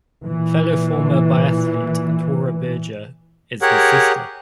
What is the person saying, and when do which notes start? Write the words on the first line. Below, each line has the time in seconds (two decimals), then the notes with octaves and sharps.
Fellow former biathlete Tora Berger is his sister.
0.24 A#2 E3
3.62 G4 G#4 A#4 C#5 F#5